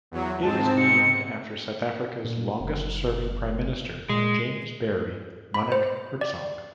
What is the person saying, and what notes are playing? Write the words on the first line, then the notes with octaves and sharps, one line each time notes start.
It is named after South Africa's longest-serving prime minister James Barry Munnik Hertzog.
E2 F#3
G#2 C4 A5
C#7
A#2
F#1
A#2 G#3
B5
C5
D5